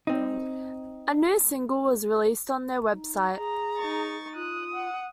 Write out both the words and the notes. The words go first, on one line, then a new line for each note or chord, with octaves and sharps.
A new single was released on their website.
C4 D#4
D#4
G#4 A#5
D#4 C#6 A6
F4 D#6 F#6
F#5